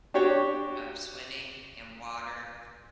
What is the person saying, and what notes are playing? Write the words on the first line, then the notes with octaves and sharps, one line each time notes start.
of swimming in water
D4 F#4 G4 C#5